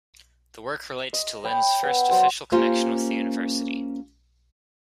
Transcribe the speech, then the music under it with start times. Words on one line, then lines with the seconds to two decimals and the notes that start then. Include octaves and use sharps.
The work relates to Lin's first official connection with the university.
1.13 D#5
1.44 C#5 G5 B5 D6
1.83 B3 E5
2.09 F#3 C5 F#5 D6
2.52 A#3 C#4 F4 G4 C5